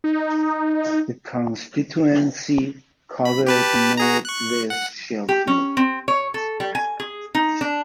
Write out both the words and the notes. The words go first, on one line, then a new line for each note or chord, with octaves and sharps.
The constituency covered north west Sheffield.
D#4
B5
G4 B4 A5
F#4 G#4 A#5
C#6 F#6
F#5
G4
C#4
C4
C#5
A4
G3
G#5
G#4
D#4
D4